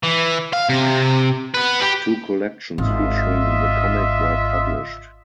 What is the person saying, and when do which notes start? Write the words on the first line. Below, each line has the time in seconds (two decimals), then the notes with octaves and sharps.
Two collections featuring the comic were published.
0.03 E3
0.53 F5
0.69 C3
1.54 B3 B4
1.82 G4
2.78 G#1 F4 D#5 E5